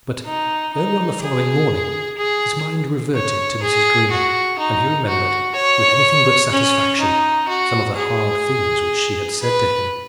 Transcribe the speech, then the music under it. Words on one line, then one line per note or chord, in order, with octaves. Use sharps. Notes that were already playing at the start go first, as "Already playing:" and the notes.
But early on the following morning his mind reverted to Mrs. Greenow, and he remembered, with anything but satisfaction, some of the hard things which she had said to him.
D#4
D#4
G#4
G#4
C#5
G#4
F#4
D#4
F#4
C#5
C#4
D#4
F#4
G#4
B4